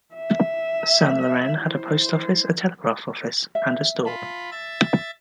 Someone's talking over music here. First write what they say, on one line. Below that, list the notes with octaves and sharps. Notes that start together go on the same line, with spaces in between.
Saint Laurent had a post office, a telegraph office and a store.
E5
E4 C5
E5
F4 A5 B5
E5 A6